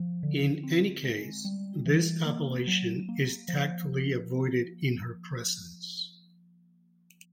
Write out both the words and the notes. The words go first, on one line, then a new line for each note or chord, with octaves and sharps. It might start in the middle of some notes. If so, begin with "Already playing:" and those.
In any case, this appellation is tactfully avoided in her presence.
Already playing: F3
D3
C4
G#3
G3
E3
A#3
F#3
A#3
F3